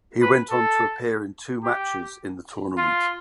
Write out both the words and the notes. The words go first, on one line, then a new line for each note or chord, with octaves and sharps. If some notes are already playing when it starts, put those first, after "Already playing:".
He went on to appear in two matches in the tournament.
B4
A4
G4
F4